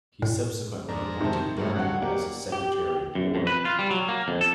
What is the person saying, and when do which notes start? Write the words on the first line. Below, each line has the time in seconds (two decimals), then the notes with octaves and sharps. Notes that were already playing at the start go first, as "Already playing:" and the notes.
He subsequently appointed Dern as his Secretary of War.
0.22 A2
0.89 F2 G#2 D4 A#5
1.20 C3 D#3 A5
1.58 G2 F#3 A#3
1.75 A1 G2 F#3 F5 F#5 F#6
2.02 F#3 A#3 G4 D5
2.52 G4
3.15 F#2
3.35 F2
3.47 B4
3.65 F4
3.79 G3
3.91 F#3
4.09 A#3
4.28 F2
4.41 A4